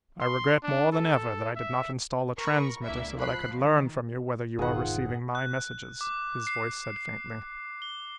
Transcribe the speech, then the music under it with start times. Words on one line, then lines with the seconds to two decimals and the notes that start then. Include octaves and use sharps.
"I regret more than ever that I did not install a transmitter so that I could learn from you whether you are receiving my messages," his voice said faintly.
0.21 C6
0.63 D4
0.92 A4
1.56 E5
2.38 A#4 B5 C#6
2.85 C#2 A#3 D4 E4 E5
3.20 F3 B5 F#6 C7
3.59 D#3
4.59 E1 G#2 D#3 F4 G#4 F#5
5.35 F#6
6.01 D6
6.47 C7
7.82 G7